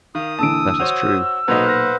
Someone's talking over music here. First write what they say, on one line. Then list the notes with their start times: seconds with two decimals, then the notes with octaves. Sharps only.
That is true.
0.15 D#3 F5 D#6
0.39 A#2 D3 E3 A5 E6 D7
0.80 F#4 C5 C#5 D#7 F7
1.48 B1 A#2 F#3 B4 C5 D#5 F#5
1.66 F6 A#6